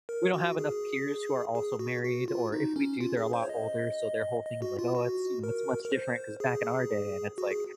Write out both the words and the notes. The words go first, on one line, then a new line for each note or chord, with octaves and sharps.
we don't have enough peers who are also married or if we do, they're a lot older, so their whole thing is, like, "Oh, it's, you know, it's much different 'cause back in our day" And it's like,
A#4
F#4
G#4
G#4
F#4
F#4
F4
D#4
C#4
F4
G#4
C5
C#5
D#5
D#5
F#4
F4
F#4
A#4
A#4
C5
G#4
F#4
G#4